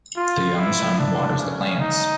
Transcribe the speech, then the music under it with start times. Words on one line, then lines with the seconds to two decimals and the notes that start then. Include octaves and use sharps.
The young son waters the plants.
0.16 F4
0.57 E4
0.98 D4
1.39 C#4
1.80 D#4